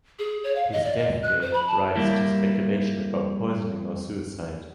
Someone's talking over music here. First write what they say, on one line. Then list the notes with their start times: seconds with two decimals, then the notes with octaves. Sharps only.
His death gave rise to speculation about poisoning or suicide.
0.19 G#4
0.44 C#5
0.56 F5
0.73 D#5
0.84 D5
0.98 D#5
1.23 F#6
1.41 C5
1.53 B5
1.68 A5
1.96 G3 A#3 E4